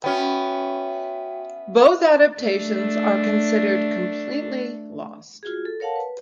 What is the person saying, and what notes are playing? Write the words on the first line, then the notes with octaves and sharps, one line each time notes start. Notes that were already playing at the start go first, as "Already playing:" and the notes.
Both adaptations are considered completely lost.
B3 C#4 F#4 E5 G5
A3 D4
F4 F#4 G#4
A4
A#4 C#5 F5 F#5 A5
B4